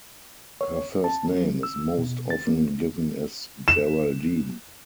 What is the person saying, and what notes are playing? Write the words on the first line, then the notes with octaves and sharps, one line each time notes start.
Her first name is most often given as Geraldine.
C#5
A5
F#3
E6
B2
A6
A#3
E7